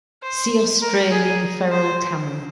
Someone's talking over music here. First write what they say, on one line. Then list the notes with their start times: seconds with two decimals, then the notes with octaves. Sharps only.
See Australian feral camel.
0.23 C5
0.82 A#4
1.11 G#4
1.71 C5